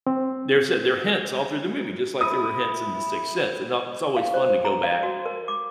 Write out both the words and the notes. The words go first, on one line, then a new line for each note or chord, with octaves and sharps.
there's a there hints all through the movie, just like there were hints in the Sixth Sense, and now it's always fun to go back
C4
E4 D#6
F5
C5
A#5
F5
F#4
A#4
D6